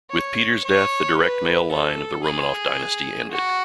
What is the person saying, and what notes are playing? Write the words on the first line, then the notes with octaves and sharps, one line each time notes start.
With Peter's death, the direct male line of the Romanov Dynasty ended.
C#5
C#5
B4
A4
G#4
F#4